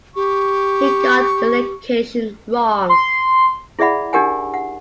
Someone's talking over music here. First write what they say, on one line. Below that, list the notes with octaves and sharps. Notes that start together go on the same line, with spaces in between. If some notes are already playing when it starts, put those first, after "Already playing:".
He got the location wrong.
G4 C#6
C6
E4 G#4 D5 E5 F#5 B5
D4 D#4 G4 A#4 F#5 G#5
F#5